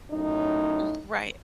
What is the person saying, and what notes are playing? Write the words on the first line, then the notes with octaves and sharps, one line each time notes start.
M Right.
F#2 A2 D#4